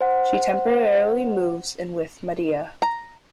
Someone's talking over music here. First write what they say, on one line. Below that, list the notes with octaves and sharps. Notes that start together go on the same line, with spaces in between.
She temporarily moves in with Madea.
C5 F#5
A#5